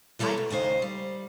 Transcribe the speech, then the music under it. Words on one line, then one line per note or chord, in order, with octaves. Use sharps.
I didn't
E3 G3 A4 C#5 A#5
B2
D#2 C#3 D#4 C5
G3